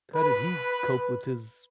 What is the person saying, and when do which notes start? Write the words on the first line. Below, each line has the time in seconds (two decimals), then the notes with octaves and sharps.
how did he cope with his
0.16 B4